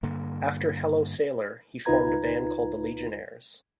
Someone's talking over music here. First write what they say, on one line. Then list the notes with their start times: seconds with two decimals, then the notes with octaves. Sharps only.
After Hello Sailor, he formed a band called the Legionnaires.
0.03 G2 D3 A#3
1.85 C#2 D#4 F4 B4 A#5 G#6